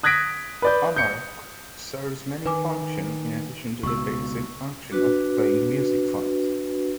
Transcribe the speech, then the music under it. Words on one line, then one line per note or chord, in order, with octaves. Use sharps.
Amarok serves many functions in addition to the basic function of playing music files.
D#6 F#6 G#6 A#6 B6 D7
B4 D5 G6
G6 C#7
D#3 B4 G#5 D6
C#2 B2 C#6 E6
D4 F#4 B4